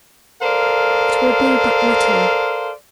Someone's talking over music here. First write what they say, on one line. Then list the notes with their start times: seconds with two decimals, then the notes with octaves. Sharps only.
It will be but little.'
0.43 A4 A#4 C5 D5 F5